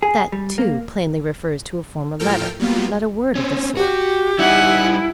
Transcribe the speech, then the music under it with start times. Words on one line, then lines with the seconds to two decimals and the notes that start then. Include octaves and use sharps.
That, too, plainly refers to a former letter--not a word of the sort.
0.03 G#4
0.32 G3
0.58 A#3
2.20 A2 F3 A4 A#4 G5 F6
2.60 F#3 G3 A#3 B3 F4
3.35 C4 C#4
3.77 F#4 G4
4.39 G3 D#4 E4 F#5 G#5